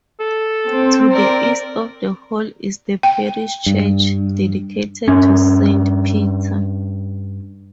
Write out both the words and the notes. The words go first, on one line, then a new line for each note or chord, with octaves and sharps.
To the east of the Hall is the parish church, dedicated to Saint Peter.
A4
C4
A#4 D5
G5
G2
G2 C#4